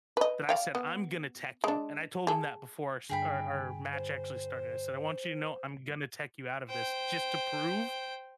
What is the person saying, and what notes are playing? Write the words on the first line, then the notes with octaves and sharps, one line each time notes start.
that I said, "I'm gonna tech you." And I told him that before our s our our match actually started. I said, "I want you to know I'm gonna tech you out of this, just to prove
B4 D#5
D5 F5 G5
B3
G#3 D4
G#4 A4
G2 D3 G#4 G5 B5
C5
C5 G5